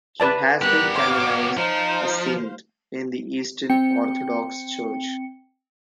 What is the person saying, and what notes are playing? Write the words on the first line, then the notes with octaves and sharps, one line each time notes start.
He has been canonized a saint in the Eastern Orthodox Church.
B4 D5 A5
G3 B3 G4 A#4 F#6
C#5 F5 D6
F3 D#4 C5 F5
C4 G5 C#7